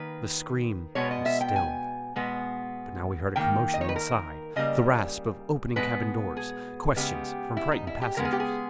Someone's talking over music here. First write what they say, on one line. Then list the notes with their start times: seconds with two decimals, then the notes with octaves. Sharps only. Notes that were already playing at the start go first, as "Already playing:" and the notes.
The scream was stilled, but now we heard a commotion inside--the rasp of opening cabin doors; questions from frightened passengers.
Already playing: D#3 A#3 B4
0.95 B2 G#3 B3 C#5
1.11 D#5
1.26 E5
1.41 G5
1.56 G#5
2.16 B2 G#3 B3
3.36 D#3 A#3 G5
3.74 D#5
3.81 C#5
3.89 B4
3.96 A#4
4.56 C#3 G3 A#3 D#5
5.76 B2 G#3 B3 B4
6.37 G#4
6.96 C#3 G#3 B3 G4
7.57 E4
7.72 D#4
7.87 E4
8.02 G4
8.17 C#3 G#3 B3 A#4
8.25 G#4
8.32 G4
8.40 G#4